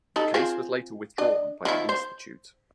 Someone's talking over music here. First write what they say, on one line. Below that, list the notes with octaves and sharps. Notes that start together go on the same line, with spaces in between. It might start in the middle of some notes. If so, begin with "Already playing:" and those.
The case was later withdrawn by the institute.
D#4 G4 A4
C4 F4 G#4
D4 D#5
D#3 F3 E4
C5